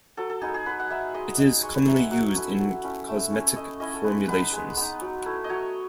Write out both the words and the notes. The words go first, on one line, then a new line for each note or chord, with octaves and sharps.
It is commonly used in cosmetic formulations.
F#3 A4
A4
B3 D#4 G#4
G#4
F#3 B4
F#5
B3 D#4 E5
G#3 D#5
D#4 D#5
G#3 C#5
B4
D#4 E5
F#5
F#3 F#5
A3 C#4 E4
F#3
A3 C#4 E4
A3 E5
C#4 E4
A3 D#5
C#4 E4 D#5
A4
G#3 B4
B3 D#4 B4
G#3
B3 D#4
F#3
A3 E4
D#5
F#3 C#5